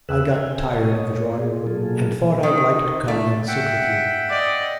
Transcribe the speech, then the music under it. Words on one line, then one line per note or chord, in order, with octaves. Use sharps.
I got tired of the drawing- room, and thought I'd like to come and sit with you.
E2 C#3 G#4 B4 E6 F#6
F5 G5 G#5
C#5 D#5
G#4
B2 F#3 A#3 F4 G#4 A4
D#3
A3
E5 F#5 G5
D5 D#5